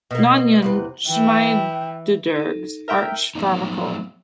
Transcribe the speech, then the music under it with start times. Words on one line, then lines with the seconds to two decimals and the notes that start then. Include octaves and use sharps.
Naunyn-Schmiedederg's Arch Pharmacol.
0.11 B2 A#3
0.62 E2 C3 B4
1.07 E3 G5
2.36 D#4 A4
2.88 A#4 E5 G5
3.35 F3 F#3 A3 B3 C4 D#4